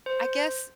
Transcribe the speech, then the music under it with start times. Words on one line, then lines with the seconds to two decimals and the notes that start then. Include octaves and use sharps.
I guess,
0.06 C5